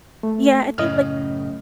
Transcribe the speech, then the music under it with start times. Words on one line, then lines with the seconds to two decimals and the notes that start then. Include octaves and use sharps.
Yeah, I think, like,
0.23 A3
0.78 F#2 A2 C#3 D#5 F6